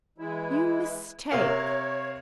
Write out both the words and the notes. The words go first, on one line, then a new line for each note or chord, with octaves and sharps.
You mistake.
E3 G#3 E4
C3 A#4 C#5 F5